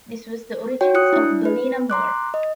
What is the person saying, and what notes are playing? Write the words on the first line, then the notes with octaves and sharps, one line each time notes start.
This was the origins of Ballinamore.
F#4 C#5 G5
D#6 F#6 C#7
D4 E4
B4
A#5 C6 D6 F#6
D#5